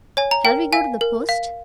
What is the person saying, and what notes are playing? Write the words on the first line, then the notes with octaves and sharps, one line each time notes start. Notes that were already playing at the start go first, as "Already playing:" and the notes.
Shall we go to the post?
C#5 G#5
A#5
A#4 G5
F5 G#5
A#4
F5